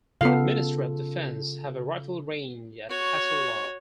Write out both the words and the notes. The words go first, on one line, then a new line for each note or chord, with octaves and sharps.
The Ministry of Defence have a rifle range at Castlelaw.
C#3 B3 F4 A4 F5
F#4 C#5